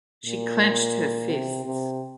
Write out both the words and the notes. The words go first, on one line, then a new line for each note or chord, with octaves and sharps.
She clenched her fists.
A#2
C3
C3